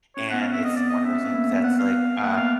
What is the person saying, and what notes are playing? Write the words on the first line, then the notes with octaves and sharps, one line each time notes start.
And it's one of those things that's like, um
C#4 C#5
B3 F#5
B3 F5
C4 E5
C4 D#5
B3 D5
D#5
C#4 E5
C4
B3
A#3
B3
C4
B3 F#5
F5
A#3 F#5
B3 F5